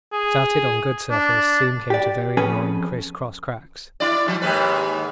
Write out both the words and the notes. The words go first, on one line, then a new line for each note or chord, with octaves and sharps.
Started on good surface, soon came to very annoying criss-cross cracks.
G#4
D4
G4 D5
F2 C#4 G#4 B4 G#5
E4 D5
G#2 F3
D#2 G#2 B4